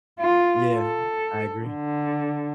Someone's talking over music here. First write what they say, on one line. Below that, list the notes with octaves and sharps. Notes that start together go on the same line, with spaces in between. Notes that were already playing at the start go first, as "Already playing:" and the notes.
Yeah, I agree.
F4
A4
D3